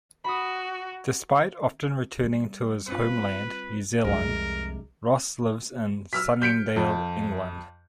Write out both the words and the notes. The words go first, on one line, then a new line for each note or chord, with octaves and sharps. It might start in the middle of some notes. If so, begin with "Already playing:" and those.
Despite often returning to his homeland New Zealand, Ross lives in Sunningdale, England.
F#4 B5 D#6
G3
C4 F4 B4
C2 F2 C3 G#3 D4 A#4
E6 F6 B6
G6 B6 C#7 D7
F2